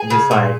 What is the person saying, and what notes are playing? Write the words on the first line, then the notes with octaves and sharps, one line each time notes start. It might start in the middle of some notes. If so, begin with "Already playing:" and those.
and just, like,
Already playing: G#4
C#3
A#2